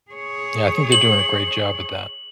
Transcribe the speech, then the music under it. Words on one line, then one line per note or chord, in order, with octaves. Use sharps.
Yeah, I think they're doing a great job with that
G#4 C#5
F#7